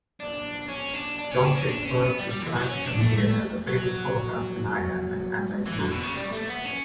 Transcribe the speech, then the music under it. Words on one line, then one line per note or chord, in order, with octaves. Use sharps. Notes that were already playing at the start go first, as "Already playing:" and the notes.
Domscheit-Berg described Shamir as a famous Holocaust denier and anti-Semite.
D4
C#4
D4
D4
C#4
D4
C#4
D4
C#4
B3
G3
G3
E3
F#3
C#4
D4
A3
A3
F#3
E3
D3
B2
C#3
G3
A3
B3
C#4